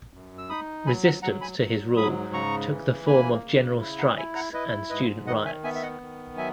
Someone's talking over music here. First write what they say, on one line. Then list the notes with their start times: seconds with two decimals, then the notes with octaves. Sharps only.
Resistance to his rule took the form of general strikes and student riots.
0.13 F#2
0.38 E6
0.49 D#4 B5 D#6
0.86 F#3 G#5 B5
1.04 F#5 A#5
1.22 F#3 F#5 A#5
1.41 G#5 B5
1.59 F#3
1.96 G#2 B5 D#6
2.33 C#3 A#5 C#6
2.70 E3
3.06 A#3 G#5 B5
3.44 C#3
3.80 E4
3.99 F#5 A#5
4.16 E4 E5 G#5
4.35 F#5 A#5
4.53 E4 B4 D#5
4.90 G#2 B4 D#5
5.27 D#3 D#5 F#5
5.45 E5 G#5
5.64 B3 E5 G#5
5.75 E5
5.82 D#5 F#5
6.01 D#3
6.37 F#3 E5 G#5